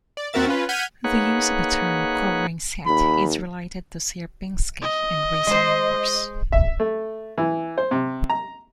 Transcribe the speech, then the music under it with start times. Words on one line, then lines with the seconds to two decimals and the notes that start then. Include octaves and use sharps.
The use of the term "covering set" is related to Sierpinski and Riesel numbers.
0.17 D5
0.33 D#2 C4 F#4 A#4 E5 A6
0.47 C#4 F4 B4
0.69 F#5 F6 G6 G#6 B6 D#7
1.04 A#3 D#4 G#4 B4 C#5 F#5
2.86 D#2 B5
4.82 D#5
5.47 G#3 C5
6.52 E5
6.80 A3
7.38 E3
7.78 C5
7.91 C3
8.30 A#5